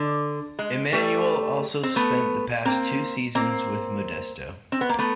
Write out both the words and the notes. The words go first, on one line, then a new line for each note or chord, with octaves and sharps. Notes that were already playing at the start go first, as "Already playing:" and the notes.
Emanuel also spent the past two seasons with Modesto.
Already playing: D3
G#3
G3 A3
C4
A3 B3
A#3 C4
A#3 C4
C4
B3
A#3
A3 B3